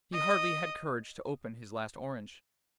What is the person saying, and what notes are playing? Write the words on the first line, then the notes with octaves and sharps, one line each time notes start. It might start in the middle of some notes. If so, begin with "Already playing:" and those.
He hardly had courage to open his last orange.
D#5